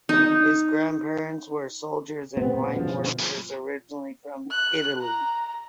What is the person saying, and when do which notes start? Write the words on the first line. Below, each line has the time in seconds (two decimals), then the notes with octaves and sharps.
His grandparents were soldiers and mine workers originally from Italy.
0.09 D#4
2.37 E1 A#2 B3 C4
2.75 G1 B2 F3
4.51 F#6
5.01 A#5